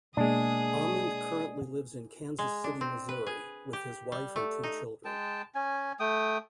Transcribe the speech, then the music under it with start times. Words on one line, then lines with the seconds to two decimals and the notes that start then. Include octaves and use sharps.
Amend currently lives in Kansas City, Missouri with his wife and two children.
0.17 B2 G#3 A#3 D4 G#4 D#6
2.39 G#3
2.64 D4
2.81 C4
3.09 B4
3.26 G#4
3.73 G4
4.12 G3
4.36 A3
4.63 D#4
5.05 G#3 G5 A5
5.55 C#4 G#5
6.00 A3 G5 D#6